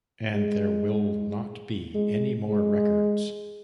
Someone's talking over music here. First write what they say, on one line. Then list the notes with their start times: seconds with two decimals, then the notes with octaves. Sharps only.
And there will not be any more records.
0.34 G#3
1.95 G#3
2.49 G#3